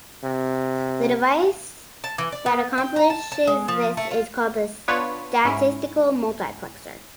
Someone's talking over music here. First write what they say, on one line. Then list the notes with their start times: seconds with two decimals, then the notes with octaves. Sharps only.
The device that accomplishes this is called a statistical multiplexer.
0.24 C3
2.04 A5
2.18 E3
2.32 D5
2.46 B3
2.78 G5
2.96 A#5
3.10 A5
3.32 A5
3.47 G#3
3.68 F3
3.97 A3
4.11 F4
4.88 B3 D4 F4 B4 C#5
5.45 G#2 C#4 E4